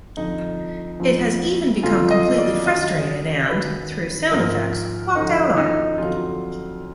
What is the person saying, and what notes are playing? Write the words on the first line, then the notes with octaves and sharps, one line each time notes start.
It has even become completely frustrated and, through sound effects, walked out on him.
F2 D3 F3 D#4
F2 F3
F2 D3 F3 F4
D#5
D5
F#2 D#3 F#3 D#5
F#2 D#3 F#3 B4
G#2 F3 A#4
F#2 D3 F3 D#4
D#4
F2 D3 F#3 F4